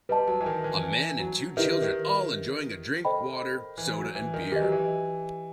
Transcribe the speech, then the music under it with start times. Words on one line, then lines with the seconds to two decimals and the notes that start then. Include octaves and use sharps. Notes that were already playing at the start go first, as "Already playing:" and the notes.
A man and two children all enjoying a drink water, soda and beer.
0.09 G3 B4 D#5 A5
0.28 F#3
0.41 E3
0.46 D#3
0.64 E3
0.83 E3
1.20 F#3
1.57 D#3 E4 G4 B4 E5
1.82 D#3
3.05 A4 C5 D#5 G5 B5
3.78 E3
3.97 F#3
4.15 E3
4.34 D#3
4.52 E3 G4 B4 D#5
4.62 F#3
4.72 E3